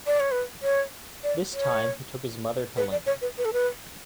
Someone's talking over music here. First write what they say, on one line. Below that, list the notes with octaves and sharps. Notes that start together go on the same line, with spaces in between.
This time he took his mother to Lincoln.
D5
C#5
B4
C#5
D5
C#5
B4
D5
C#5
B4
B4
A4
B4